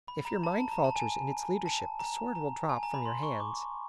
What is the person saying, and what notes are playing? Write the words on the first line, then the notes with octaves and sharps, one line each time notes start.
If your mind falters in its leadership the sword will drop from your hands.
B5
A#5
A5
A5
A#5
A5
G#5
A5
A#5
A#5
G#5
A#5
B5
C6
C#6
D6